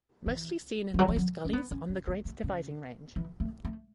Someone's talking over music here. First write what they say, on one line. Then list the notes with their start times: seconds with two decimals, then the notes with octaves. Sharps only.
Mostly seen in moist gullies on the Great Dividing Range.
0.26 E3
0.94 E3
0.99 F#3
1.08 E3
1.16 F#3
1.45 C#4
1.53 B3
1.71 C#4
1.89 C#4
2.07 B3
2.25 A3
2.44 C#3
3.16 E3
3.40 A3
3.65 A3